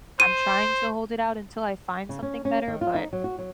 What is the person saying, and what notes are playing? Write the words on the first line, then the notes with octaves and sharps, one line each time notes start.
I'm trying to hold it out until I find something better, but
C5 D#7
C#3
C#4
C#4
D#3
F4
D#4
F#3
F#4
F#3